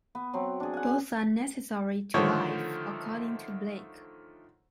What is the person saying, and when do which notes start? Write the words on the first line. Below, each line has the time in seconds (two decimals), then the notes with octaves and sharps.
Both are necessary to life according to Blake.
0.15 B3
0.33 F#3 C4
0.60 D4 G#4
0.73 F#5 G#5
2.14 D3 D#3 F3 A3 C5 C#5